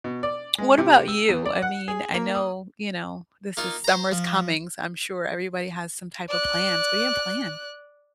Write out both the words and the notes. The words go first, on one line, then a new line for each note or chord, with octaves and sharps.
What about you? I mean, I know, you know, this is summer's coming, so I'm sure everybody has some type of plans. What do you have planned?
B2
D5
G#3
C3
E6
E2
D5
F#5
G#4
A#3
D#6
A#3 D#4 F4
C5 A#5
F3
D5 F#6